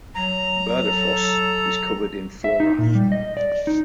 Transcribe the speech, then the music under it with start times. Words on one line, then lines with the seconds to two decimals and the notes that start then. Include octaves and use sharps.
Bardufoss is covered in flora.
0.15 F#3 A#5
0.82 A4
2.44 E5
2.60 D#4
2.78 A#2
2.95 G3
3.12 D#5
3.37 D5
3.67 D#4